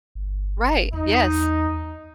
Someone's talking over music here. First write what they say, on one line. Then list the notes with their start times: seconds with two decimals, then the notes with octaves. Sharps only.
Right, yes.
0.15 G1
0.92 E2 D#4